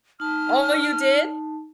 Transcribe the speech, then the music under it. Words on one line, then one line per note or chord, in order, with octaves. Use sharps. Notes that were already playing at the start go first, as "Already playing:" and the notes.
Oh, you did?
D#4 A5 F6